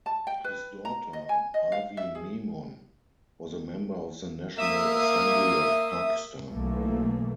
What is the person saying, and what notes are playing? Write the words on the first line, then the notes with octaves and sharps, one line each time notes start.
His daughter, Marvi Memon, was a member of the National Assembly of Pakistan.
A5
G5
B4
A#5
D#5
G#5
D#5
F5
E5
G#4
A#3 E5 D#6
B1 E3 A3 A#3